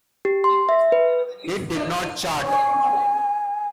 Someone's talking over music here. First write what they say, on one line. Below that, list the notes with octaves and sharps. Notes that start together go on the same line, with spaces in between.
It did not chart.
G4
C6
E5
B4
G#5